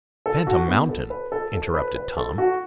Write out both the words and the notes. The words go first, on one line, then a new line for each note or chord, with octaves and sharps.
"Phantom Mountain?" interrupted Tom.
A4
F#4
B3
A4
B4
A4
A4
B4
B4
A4
F#4